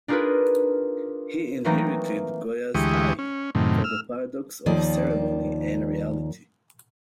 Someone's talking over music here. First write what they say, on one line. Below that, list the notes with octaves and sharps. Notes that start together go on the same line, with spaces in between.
He inherited Goya's eye for the paradox of ceremony and reality.
D4 D#4 F4 G#4 A#4 B4
E3 F#3 A3 A#3 C4 D#4
D2 E3 G#3 G4 C#6 D#6
C#4
F#2 A2 C3 D#3
E6 F6
D#2 D#3 F3 D5